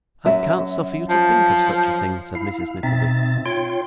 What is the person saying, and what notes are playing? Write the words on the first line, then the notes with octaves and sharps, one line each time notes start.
'I can't suffer you to think of such a thing,' said Mrs Nickleby.
F#2 E5
F3
E4 F5
B2 C4 D#4 E5 A6
F4 C#5 G5 C6